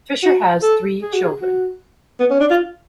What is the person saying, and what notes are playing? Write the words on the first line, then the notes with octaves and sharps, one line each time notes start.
Fisher has three children.
F#4
A4
G#4
F#4
G#4
F#4
B3
C#4
D4
F4